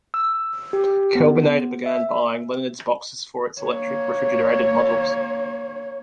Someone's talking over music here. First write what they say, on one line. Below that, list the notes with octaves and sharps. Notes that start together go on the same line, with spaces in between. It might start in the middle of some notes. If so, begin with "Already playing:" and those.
Kelvinator began buying Leonard's boxes for its electric refrigerated models.
E6
G4
B3
E5
A#3 C#5